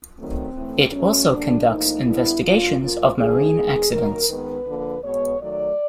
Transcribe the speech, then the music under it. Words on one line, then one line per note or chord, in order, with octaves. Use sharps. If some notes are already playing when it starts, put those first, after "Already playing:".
It also conducts investigations of marine accidents.
D#3 F#3 A3 C4
A2 E3 A3
B2 F#3 A3 C#4
D3 G3 A#3 D4
A2 F3 A#3 D#4
D3 G3 B3 E4
D3 F#3 A#3 F4
A#2 F3 A#3 F4
D3 F3 A3 G#4
D#3 G#3 B3
D#3 F#3 A#3 A#4
D#3 G#3 B3 B4
D3 F3 A#3
B2 G#3 B3 C#5
D#3 F#3 A3 D5